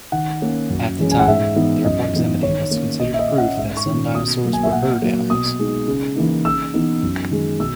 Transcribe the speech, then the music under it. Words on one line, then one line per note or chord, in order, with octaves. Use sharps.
At the time, their proximity was considered proof that some dinosaurs were herd animals.
D#3 F#5
A#3 C#4
F#2
E3 G#3 C#4
G#5
F#5
G#2 E5
E3 B3 D#4
F#2 D#5
E3 B3 D#4
D#3 C#5
A#3 C#4
A#2 D#5
E5
D#5
A#3 C#4
F#5
G#2 E5
C#6
D#3 A#3 C#4
B2 D#6
F#3 A#3
G#5
E5
A#2 F#5
F#3 A#3
B2 D#6
G#3 D#4
C#3
E3 A#3 D#4
C#3 E6
E3 B3 D#4
F#2
D#3 G#3
B2 E6